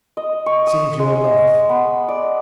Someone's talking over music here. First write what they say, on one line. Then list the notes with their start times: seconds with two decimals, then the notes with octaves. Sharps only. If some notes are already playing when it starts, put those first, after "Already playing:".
Save your life!
0.17 D#5
0.46 C#6
0.67 D#6
1.00 G#3
1.69 B3
2.08 D5